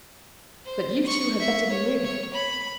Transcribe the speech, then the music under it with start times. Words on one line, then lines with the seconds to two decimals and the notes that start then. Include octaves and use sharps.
But you two had better be moving.
0.65 C5
1.06 C#6
1.40 E5
1.70 C#5
2.03 C#5
2.33 B5